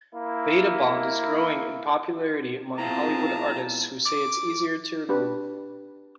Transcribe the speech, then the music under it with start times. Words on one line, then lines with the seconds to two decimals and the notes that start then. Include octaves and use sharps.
BetaBond is growing in popularity among Hollywood artists who say it's easier to remove.
0.14 A#3 E4
2.78 B2 C4 E4 F4 G#4 F5 A5 A#5
4.05 D6
5.09 D4 G4 B4